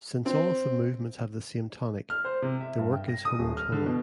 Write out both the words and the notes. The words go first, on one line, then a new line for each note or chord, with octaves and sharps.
Since all of the movements have the same tonic, the work is homotonal.
C4
F6
C5
C3
E5
G2
G5
A#6
D#6
D#1
F6
D3
B2